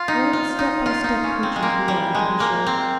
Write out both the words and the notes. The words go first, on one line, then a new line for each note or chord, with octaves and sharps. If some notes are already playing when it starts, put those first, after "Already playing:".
What step-by-step creatures we are, to be sure!
Already playing: F4
D#4
F4
D#4
F4
D#4
C#4
C4
G#3
A#3
G3
G#3
A#3
C4